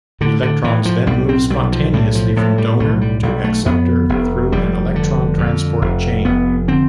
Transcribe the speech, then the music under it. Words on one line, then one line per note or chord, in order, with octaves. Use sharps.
Electrons then move spontaneously from donor to acceptor through an electron transport chain.
A2 D3
D3
A2 E3
F3
B1 G3
C4
B1 G3
F3
A2 G3
F3
A2 F3
G3
B1 A3
G3
B1 G3
A3
F2 B3
F1
F1 G3
D3
F2
F1
F1 B3
D3 C4